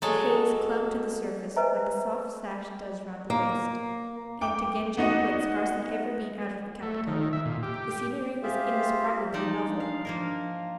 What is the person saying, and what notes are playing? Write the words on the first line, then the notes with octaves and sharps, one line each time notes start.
The haze clung to the surface like a soft sash does round the waist, and to Genji, who had scarcely ever been out of the capital, the scenery was indescribably novel.
F#3 G#3 A4
B4 C5 D#5 E5 G#5 A#5
A#3
G5 D6
B3 D#4 F#4 D#5
A3
D#3
E5
A#2
G4
F4 G4 G#4 C5 E5 F5
F3 D#4 D5 D6
D4
F5
F3 A#3 A#4